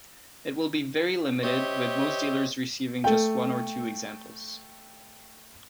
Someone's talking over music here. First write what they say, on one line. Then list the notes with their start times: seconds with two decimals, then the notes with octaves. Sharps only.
It will be very limited, with most dealers receiving just one or two examples.
1.43 G4 C5 C#5 D#5 E5
3.04 A3 G5